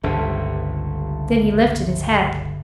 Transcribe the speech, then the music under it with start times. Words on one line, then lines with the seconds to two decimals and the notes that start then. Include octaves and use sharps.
Then he lifted his head.
0.03 G1 C#2 G2 D3 A3 C5